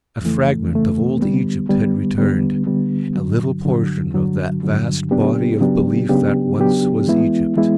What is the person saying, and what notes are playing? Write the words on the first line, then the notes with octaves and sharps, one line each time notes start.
A fragment of old Egypt had returned--a little portion of that vast Body of Belief that once was Egypt.
F2 C#3 E3 A3
F2 C#3 E3 A3
D3 G3 B3
D3 G3 B3
D3 G3 B3
D3 G3 B3
G2 D3 F#3
G2 D3 F#3
G2 D3 F#3
G2 D3 F#3
C#3 F#3 B3 D4 G4
C#3 F#3 B3 D4 G4
C#3 F#3 B3 D4 G4
C#3 F#3 B3 D4 G4
E3 G#3 B3 E4
E3 G#3 B3 E4